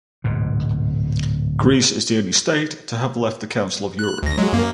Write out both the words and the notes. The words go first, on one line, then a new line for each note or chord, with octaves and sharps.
Greece is the only state to have left the Council of Europe.
D1 G#2 B2
F#6
D2 A#6
F#3 G#3
F#2 A#3